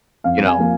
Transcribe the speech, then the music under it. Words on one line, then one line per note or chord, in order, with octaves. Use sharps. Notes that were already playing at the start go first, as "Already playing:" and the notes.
you know,
F2 F5
G#5
F3 A#3